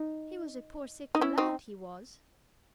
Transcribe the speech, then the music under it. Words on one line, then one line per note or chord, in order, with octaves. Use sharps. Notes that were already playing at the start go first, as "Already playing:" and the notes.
He was a poor sickly lad, he was!
Already playing: D#4
D#4
C#4 E4
C4 D#4